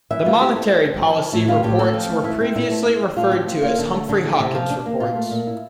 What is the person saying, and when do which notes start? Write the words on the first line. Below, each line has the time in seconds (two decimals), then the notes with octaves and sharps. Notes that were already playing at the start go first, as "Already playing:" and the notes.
The Monetary Policy Reports were previously referred to as Humphrey-Hawkins reports.
0.10 E3 E5
0.25 A3 F4
0.41 E4 G4
0.56 C4 A4
0.71 F3
0.87 C4
1.02 F3
1.17 E4
1.32 A2 E4
1.48 G3 F4
1.63 A2 G4
1.79 C4 A4
1.94 F3
2.09 A3
2.24 E4
2.41 C4
2.56 A#2 E4
2.71 A3
2.85 E4
3.01 C4
3.17 A2 F4
3.31 F3 G4
3.47 E4 F4
3.62 A#3 F4
3.78 D3
3.94 A3
4.09 D3
4.23 E4
4.40 C3
4.55 F3
4.70 D4
4.86 A#3
5.00 A#2 F4
5.15 A3
5.31 A#2
5.47 E4